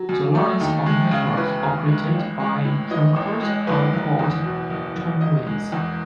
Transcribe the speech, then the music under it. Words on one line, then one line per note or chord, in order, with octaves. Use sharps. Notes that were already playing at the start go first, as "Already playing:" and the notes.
The lines or networks operated by tramcars are called tramways.
Already playing: F#3
F#2
A3
D#2 D#4
G#3
C#3
E3 B4
D#2
G#3
A1
G#3
A2
E3 D#5
A1
G#3
F#1 B4
F#1
E2
B2
F#1
F#1
E1 D#5
G#3
E2